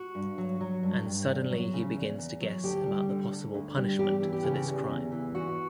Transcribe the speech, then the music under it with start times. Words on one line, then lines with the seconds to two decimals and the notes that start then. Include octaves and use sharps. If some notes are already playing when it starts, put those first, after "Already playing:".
And suddenly he begins to guess about the possible punishment for this crime.
Already playing: F#4
0.15 G2
0.38 F#3
0.61 F#3
0.83 G2
1.06 G2
1.29 E2
1.51 F#3
1.73 C#3
1.96 E2
2.18 E2
2.41 F#3
2.64 D2 G4
2.86 G3
3.09 D3
3.31 D2
3.54 D2
3.77 G3
3.99 E2 G4
4.22 E3
4.33 G4
4.44 C#3
4.67 E2
4.90 E2
5.12 E3
5.34 E2 F#4